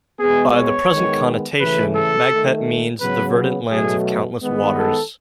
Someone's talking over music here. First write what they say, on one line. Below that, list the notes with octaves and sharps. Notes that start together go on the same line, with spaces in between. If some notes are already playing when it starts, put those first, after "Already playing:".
By the present connotation, Magpet means "the verdant lands of countless waters".
B2 G#3 B3 G#4
C#5
D#3 G#3 B3
C#3 E3 A3 B4
A4
D#3 A3
C#3 F#3 B3 B4
B2 F#3 A3 G#4
D#3 G#3 B3
A4